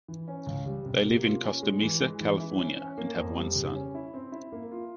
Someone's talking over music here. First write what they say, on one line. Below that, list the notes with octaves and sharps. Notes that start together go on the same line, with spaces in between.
They live in Costa Mesa, California and have one son.
E3
C#4
C#2
G3
C3
A#3
F4
C#4
G#3
E3
G#3
E3
E4
C#4
C#4
A#3
F2
G3
C#3
C#4
E4
C4
E4
A#3
F4